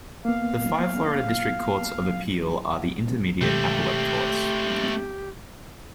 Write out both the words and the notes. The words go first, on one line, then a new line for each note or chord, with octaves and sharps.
The five Florida District Courts of Appeal are the intermediate appellate courts.
A#3 B3 F5
B2 D#3 G#3 A3 C4 G4